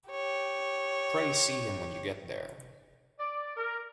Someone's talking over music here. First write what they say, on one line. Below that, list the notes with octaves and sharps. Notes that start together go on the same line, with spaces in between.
Pray see him when you get there.
G4 C#5
D5
A#4